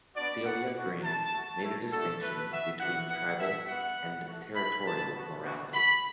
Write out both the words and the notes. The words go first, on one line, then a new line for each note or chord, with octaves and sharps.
Celia Green made a distinction between tribal and territorial morality.
B3 D4 F#4 D5
B3 D4 F#4 F#5
B3 D4 F#4
A3 E4 A5
A3 F#4
A3 E4
A3 D4 F#4 A4
A3 E4 B4
B3 F#4 E5
B3 D4 F#4 F#5
B3 E4 F#5
B3 E4 E5
B3 F#4 F#5
B3 E4
A3 F#4
A3 E4 B5
B3 E4 A5
B3 F#4
B3 D4 F#4
A3 F#4 B5